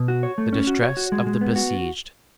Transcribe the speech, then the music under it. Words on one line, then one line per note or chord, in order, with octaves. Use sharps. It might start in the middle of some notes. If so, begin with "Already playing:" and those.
The distress of the besieged.
Already playing: B2
F#4
C#5
A3
C#4
F#4
C#5
F#4
G#3
G#3
B3
F#4